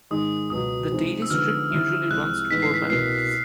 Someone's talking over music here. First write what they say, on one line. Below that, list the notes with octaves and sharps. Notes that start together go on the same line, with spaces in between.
The daily strip usually runs to four panels.
G#2 D#3 G#3 D#6
C#2 B2 F#3 D#6
C3 F3 G#3 C4 D#4
E6
D3 F3 G#3 B3 D#4 F6
D3 G3 C4 E4
C2 C3 F3 G#3 F#6
A2 E3 G#3 B3 D#4 B6
C7
B6
C2 B2 G3 A#3 C7